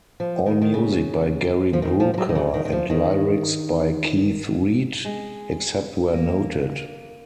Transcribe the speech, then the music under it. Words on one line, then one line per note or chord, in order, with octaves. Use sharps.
All music by Gary Brooker and lyrics by Keith Reid, except where noted.
F3
D#3
D#3
C#3
F3
D#3
F3
F3
F#3
D#3
C#3
D#3
D#3
F3
D#3
G#3
A#3